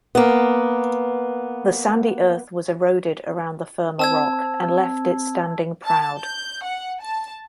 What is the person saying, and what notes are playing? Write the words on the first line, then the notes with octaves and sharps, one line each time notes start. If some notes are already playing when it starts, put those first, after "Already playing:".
The sandy earth was eroded around the firmer rock and left it standing proud.
A#3 B3
C4 A5 E6 G#6
A5
G6
F#5
A5